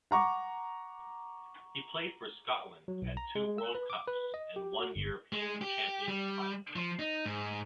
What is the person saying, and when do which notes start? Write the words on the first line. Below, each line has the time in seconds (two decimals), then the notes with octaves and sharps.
He played for Scotland at two World Cups and one European Champions finals.
0.11 F#5 A#5 C#6 D6
2.88 F#3
3.02 B1
3.17 A#5
3.35 G#3
3.58 E6
3.75 B4
3.90 D6
4.07 B4
4.34 D#5
4.56 G4
4.79 F#4
4.96 G1
5.33 G#3
5.61 G4
6.08 G3
6.76 F3
6.99 D#4
7.26 G#2